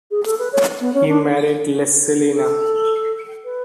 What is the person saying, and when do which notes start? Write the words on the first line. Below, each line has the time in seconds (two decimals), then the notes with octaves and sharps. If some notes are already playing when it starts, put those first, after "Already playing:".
He married Lescelina.
0.11 G#4
0.25 A4
0.39 B4
0.52 C#5
0.81 B3
0.94 C#4
1.08 D4
2.33 A4
3.45 B4